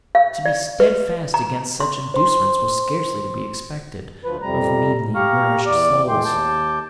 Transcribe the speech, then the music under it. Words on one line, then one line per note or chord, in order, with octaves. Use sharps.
To be steadfast against such inducements was scarcely to be expected of meanly nourished souls.
F5
D5
B4
A#5
C6
C5 C6
D2 F3 B4
F2 C3 G3 A#5
G4 F5 A#5 C#6 F6
E2 D5 D6
E2 D#3 G#3 G5 C6 D6
D#2 A5 D6 G6